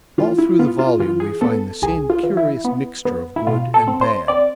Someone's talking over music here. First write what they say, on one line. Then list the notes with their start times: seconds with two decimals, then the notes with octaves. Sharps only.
All through the volume we find the same curious mixture of good and bad.
0.18 E3 F4
0.38 E4
0.59 B3 F4
0.79 F4
0.99 E3 F4
1.20 G#4
1.41 B3 A4
1.82 C2 G#4
2.10 F4
2.23 E3
2.37 E4
2.65 B3
3.05 B3
3.36 E4
3.47 B2 F4
3.74 A4
3.87 C4
4.01 C5
4.28 C4 D5